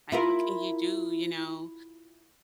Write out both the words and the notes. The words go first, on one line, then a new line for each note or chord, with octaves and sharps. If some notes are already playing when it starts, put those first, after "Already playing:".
Like, what can you do?" You know,
E4 F4 A#4